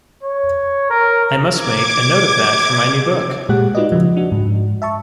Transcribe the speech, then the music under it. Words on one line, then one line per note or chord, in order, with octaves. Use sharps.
I must make a note of that for my new book.
C#5
A#4
D6 G#6
A#2 G#3 G4 F#5 F#6
D#4 F4 F#4 B4 D5 D#5
C#3 F3
D4 F#4
G#2
E5 A5 C#6